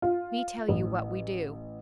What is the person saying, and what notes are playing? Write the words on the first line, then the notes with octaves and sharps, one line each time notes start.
Me tell you what we do.
F4
A1